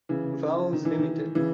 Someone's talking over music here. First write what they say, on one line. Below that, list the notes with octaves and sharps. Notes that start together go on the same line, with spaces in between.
Vowles Ltd.
C#3 E3
D#3
E3
D#3
C#3 E3